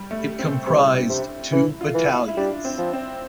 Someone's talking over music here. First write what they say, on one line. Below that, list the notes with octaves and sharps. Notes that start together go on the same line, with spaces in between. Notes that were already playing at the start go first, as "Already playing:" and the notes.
It comprised two battalions.
Already playing: G3
A3
C4
C3 E4
D4
C3
E3 E4
F4
E3
E4
E4
G3 D4
C4
F3
C4